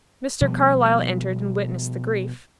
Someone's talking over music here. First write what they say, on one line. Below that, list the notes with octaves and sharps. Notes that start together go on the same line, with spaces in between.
Mr. Carlyle entered and witnessed the grief.
B2 F3 G3 B3